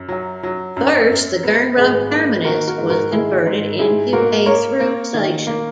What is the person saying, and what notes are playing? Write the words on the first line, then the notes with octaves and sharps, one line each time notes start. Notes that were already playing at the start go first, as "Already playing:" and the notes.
First, the Gernrode terminus was converted into a through station.
Already playing: F#2
F#3
F#3
F#2
F#2
B3
G#1 G#4 B4
A#3
D#3 F#4 A#4
F#4 A#4
G#2
F#4 A#4
D#3 E4 G#4
G#2
G#2 E4 G#4
A#3 F#4 A#4
A#3 A#4 C#5
A#3
D#3
A#3